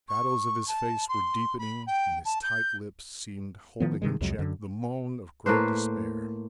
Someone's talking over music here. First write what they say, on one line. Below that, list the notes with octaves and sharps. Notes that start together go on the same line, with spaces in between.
The shadows of his face were deepening and his tight lips seemed holding in check the moan of great despair.
C#6
A5
C6
B5
G5
A5
G6
D#3 F3 B3
C3 D#3 G#3
C2 F2 F#3 G#3
F#2 D3
A2 A#3 B4 C5